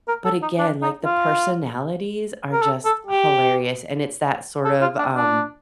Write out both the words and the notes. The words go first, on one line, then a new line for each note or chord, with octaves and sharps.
but again, like, the personalities are just hilarious, and it's that, sort of, um
A#4
A4
D#4
D4
D#4
F4
A#4
A4
A4
G4
A4
F4
D4
D4